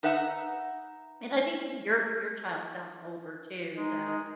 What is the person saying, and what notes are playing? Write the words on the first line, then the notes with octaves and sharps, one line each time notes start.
and I think your your child sounds older too, so
D#4 B4 E5 F#5 G#5 A#5
G#3 D#4